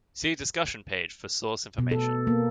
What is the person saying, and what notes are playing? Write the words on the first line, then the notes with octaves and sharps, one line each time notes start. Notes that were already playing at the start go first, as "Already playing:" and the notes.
See discussion page for source information.
B2
A4
A#3